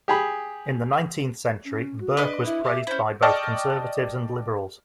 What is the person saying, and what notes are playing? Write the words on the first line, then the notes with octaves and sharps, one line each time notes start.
In the nineteenth century Burke was praised by both conservatives and liberals.
G4 G#4 B5
C#4
F#4
D4 B4 D5 D#5
E4 E5
G4
C#4 E4 C5
D5 D#5 G5 A5 C#6 F6